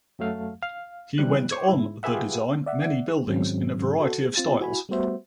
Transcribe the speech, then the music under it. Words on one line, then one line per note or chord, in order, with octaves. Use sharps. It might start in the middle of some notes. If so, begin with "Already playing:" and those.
He went on the design many buildings in a variety of styles.
F#2 F#3 A3 F5
F5
C3 E3 G3 F#6
C5 C#6 D6 G#6
G#2 E4
F4 G4 G#4 B4 E5 F#5
D5 E5 F#5
G#2 D#3 F#3 G#3 C4 C#4
F#4 A4
C4 F4 A6
E4 F#4 G#5 B5
G3 A3 B3 F#4 C5 E5